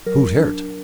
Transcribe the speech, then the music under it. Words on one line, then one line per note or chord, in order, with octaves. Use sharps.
"Who's hurt?"
F#3 A#4
D4